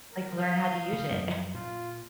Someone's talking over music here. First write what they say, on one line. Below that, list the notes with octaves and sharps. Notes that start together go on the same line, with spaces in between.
Like learn how to use it.
A#4
F5 D#6 G6
C#3
F#2 G3
A#2 F4